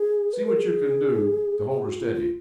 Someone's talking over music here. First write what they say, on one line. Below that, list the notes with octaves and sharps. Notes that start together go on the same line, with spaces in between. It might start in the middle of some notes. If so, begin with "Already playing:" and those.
See what you can do to hold her steady.
Already playing: G#4
B4
A#4
G#4
G#4
F#4
F4
F4